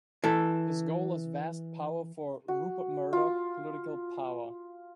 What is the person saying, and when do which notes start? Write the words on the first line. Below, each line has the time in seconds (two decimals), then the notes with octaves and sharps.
His goal is vast power for Rupert Murdoch, political power.
0.24 E3 A4
2.48 F#4
3.13 F4